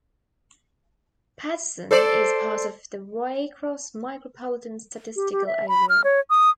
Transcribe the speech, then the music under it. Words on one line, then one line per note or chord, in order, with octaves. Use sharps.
Patterson is part of the Waycross Micropolitan Statistical Area.
A4 C5 D5
G4
G4
E5
B5
F6
C#5
D#6